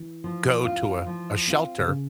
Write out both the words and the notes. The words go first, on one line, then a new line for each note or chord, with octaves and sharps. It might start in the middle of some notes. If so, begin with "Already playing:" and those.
go to a a shelter.
Already playing: E3
F3
C4 F4
F3
C4 F4
C3
C#3